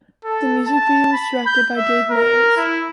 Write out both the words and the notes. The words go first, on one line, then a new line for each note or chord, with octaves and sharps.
The music video was directed by Dave Meyers.
A4
A5
B5
G6
E5
A#4
E4